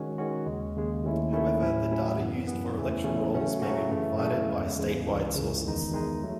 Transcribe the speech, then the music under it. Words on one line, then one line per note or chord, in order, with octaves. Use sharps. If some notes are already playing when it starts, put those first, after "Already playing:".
However, the data used for electoral rolls may be provided by statewide sources.
Already playing: D#3 G#3 C#4 F#4
D#3 G#3 C#4 F#4
D#2 C#3 G#3
D#2 C#3 G#3
D#2 D#3 A3 C#4 E4
D#2 D#3 A3 C#4 E4
A2 F#3 C#4 E4
A2 F#3 C#4 E4
F#2 E3 B3
F#2 E3 B3
E2 C#3 E3 A3 C#4
E2 C#3 E3 A3 C#4
C#3 F#3 A3 C#4 F#4
C#3 F#3 A3 C#4 F#4
F#2 C#3 E3 A3
F#2 C#3 E3 A3
E2 C#3 G#3
E2 C#3 G#3
C#2 C#3 E3
C#2 C#3 E3
E2 D#3 G#3 D#4
E2 D#3 G#3 D#4
F#3 A3